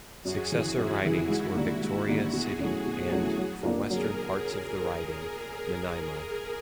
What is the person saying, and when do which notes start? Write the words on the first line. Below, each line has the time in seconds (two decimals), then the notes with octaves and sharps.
Successor ridings were Victoria City and, for western parts of the riding, Nanaimo.
0.25 F#2 F#4 G#4
0.52 C#3 E3
0.77 F#2 E4 F#4
1.03 C#3 E3
1.29 G#2
1.55 D#3 G3 A#3 D4
1.82 G#2
2.07 D#3 G3 A#3 D4
2.33 B2 F#4 G#4
2.59 F#3 A3 C#4 E4
2.85 B2
3.11 F#3 A3 C#4 E4
3.38 F#3
3.63 A#3 D4 F4 A#4
3.90 F#3 G#4 A#4